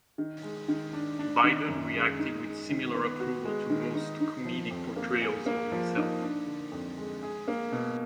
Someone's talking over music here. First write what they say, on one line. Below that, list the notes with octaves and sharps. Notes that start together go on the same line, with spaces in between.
Biden reacted with similar approval to most comedic portrayals of himself.
D#3
G#3
D#3
D4
D4
D#3
F#2
G#3
D#4
G#3
D#3
B3
F#4
G#3
D#3
D#4
D#4
F3
F2
A#3
G#4
A#3
F3
D#4
D4
D3
F2
G#3
G#4
A#3
B2